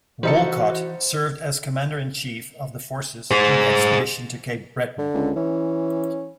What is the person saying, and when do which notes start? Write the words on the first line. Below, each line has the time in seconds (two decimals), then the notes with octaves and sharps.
Wolcott served as Commander-in-Chief of the Forces in the Expedition to Cape Breton.
0.23 E3 G3 D#4 F#4 A4 C5 C#7
3.31 G#4 C5
4.98 D3
5.14 C#2
5.36 E3 C#4